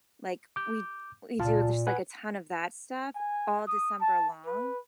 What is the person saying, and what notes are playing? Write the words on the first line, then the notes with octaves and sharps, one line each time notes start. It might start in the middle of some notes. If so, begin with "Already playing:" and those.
like, we we do just, like, a ton of that stuff all December long.
D6 G6
C#2 A#2 F4 A5
B4 F#5 G#5
G#5
D#6
A5
B4